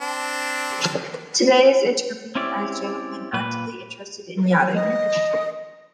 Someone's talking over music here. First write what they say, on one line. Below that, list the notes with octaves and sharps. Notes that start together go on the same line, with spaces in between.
Today this is interpreted as a gentleman "actively interested in yachting".
C4 D4
C4 C#4 E4 G4 D5
A#2 A#3 B4
D#5